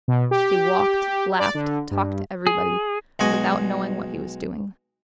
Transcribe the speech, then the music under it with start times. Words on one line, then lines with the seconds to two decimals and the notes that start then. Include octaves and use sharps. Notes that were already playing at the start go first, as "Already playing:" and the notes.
He walked, laughed, talked to everybody, without knowing what he was doing.
0.08 B2
0.31 G4
1.39 D5
1.55 D3
1.91 G2
2.47 G#4
3.19 B1 G#3 F#4 D#5 G#5 C#6